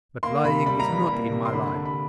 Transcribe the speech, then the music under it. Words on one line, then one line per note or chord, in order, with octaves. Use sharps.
But lying is not in my line.
A#3 C6
C3 B5
G3 B5
A#5
E3 B5
A#3
C3
C6
D3 B5
D3
B5